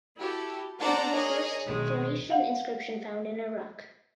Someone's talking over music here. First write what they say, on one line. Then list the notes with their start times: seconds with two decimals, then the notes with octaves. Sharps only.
It was the first Phoenician inscription found in Iraq.
0.17 E4 F#4 G4 A4
0.80 D4 A4 C5 D5 F#5 A#5
1.13 G#4 A#4 C#5 D#5
1.67 B1 D#3 G#3
2.30 F5 F#5